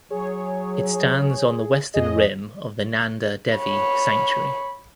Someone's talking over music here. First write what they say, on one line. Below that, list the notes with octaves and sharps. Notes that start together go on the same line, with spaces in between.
It stands on the western rim of the Nanda Devi Sanctuary.
F#3 G#4 C#5
F2 G#4 D#5
C#5 B5